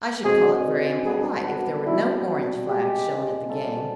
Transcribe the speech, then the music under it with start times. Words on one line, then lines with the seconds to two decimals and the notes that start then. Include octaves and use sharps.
"I should call it very impolite if there were no orange flags shown at the game."
0.24 B2 G#3 C4 G#4
1.05 G3 B3 D4 G#4
1.46 F#4
1.86 B2 G3 C4 E4
2.68 F3 G#3 C4 G4
3.49 G3 C4 F4 A4